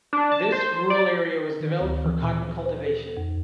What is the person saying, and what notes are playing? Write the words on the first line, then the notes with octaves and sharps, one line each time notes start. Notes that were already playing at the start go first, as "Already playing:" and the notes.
This rural area was developed for cotton cultivation.
D4
A5
C5
D5
D#3
D2
E3
A#2
C5
A4
F2